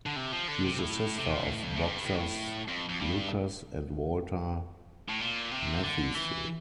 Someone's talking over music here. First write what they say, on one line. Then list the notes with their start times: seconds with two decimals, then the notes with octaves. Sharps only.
She is the sister of boxers Lucas and Walter Matthysse.
0.06 D3
0.16 C3
0.33 F3
0.48 D3
0.64 C3
0.79 A2
1.18 C3
1.30 A#2
1.43 A2
1.63 F2
1.76 A2
1.84 G2
2.05 A2
2.68 F2
2.89 F2
3.00 G2
5.08 A2
5.21 A#2
5.52 C3
5.83 D3
6.15 E3